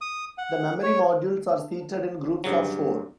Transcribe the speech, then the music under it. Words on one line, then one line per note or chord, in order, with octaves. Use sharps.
The memory modules are seated in groups of four.
D#6
F#5
C#5
G2 C#3 F#3